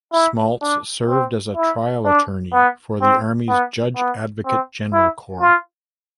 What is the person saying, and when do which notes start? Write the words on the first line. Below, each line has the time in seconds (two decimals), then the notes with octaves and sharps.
Smaltz served as a trial attorney for the Army's Judge Advocate General Corps.
0.13 E4
0.61 D4
1.09 C4
1.56 E4
2.05 D4
2.53 B3
3.02 C4
3.49 B3
3.97 B3
4.46 C4
4.93 E4
5.41 F4